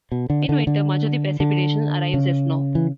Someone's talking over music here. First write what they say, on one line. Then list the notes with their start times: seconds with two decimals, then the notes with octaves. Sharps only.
In winter, much of the precipitation arrives as snow.
0.12 B2
0.30 D3
0.49 D3
0.67 D3
1.40 D3
2.14 C#3
2.75 E3